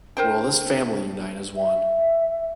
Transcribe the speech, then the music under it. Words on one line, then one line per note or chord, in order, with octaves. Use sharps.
Will this family unite as one?
D4 A#4 C5 G5
E5